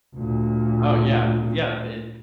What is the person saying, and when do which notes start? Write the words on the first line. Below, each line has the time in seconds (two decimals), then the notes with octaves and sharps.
Oh, yeah, is yeah, i
0.16 D2 A#2